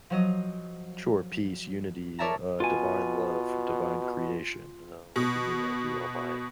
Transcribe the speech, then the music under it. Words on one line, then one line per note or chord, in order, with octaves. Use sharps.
Sure, peace, unity, uh, divine love, divine creation. "Oh, look at me, I do all my
F3 F#3 D#5
A#4 C#5 D5 E5 A5 A#5
B2 F4 G#5
B2